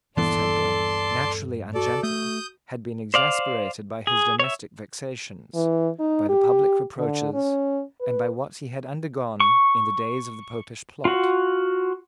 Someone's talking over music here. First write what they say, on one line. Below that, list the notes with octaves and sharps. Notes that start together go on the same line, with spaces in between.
His temper, naturally ungentle, had been exasperated by his domestic vexations, by the public reproaches, and by what he had undergone in the days of the Popish plot.
D#1 G2 E3 B3 A4 D5 A5 C6
F#4 A4 D5
A3 D#6 G6
C5 D5 F5
G#4
C#5 E5
E3
D#4
G4
D3
C#4
B4
C#6
F4 F#4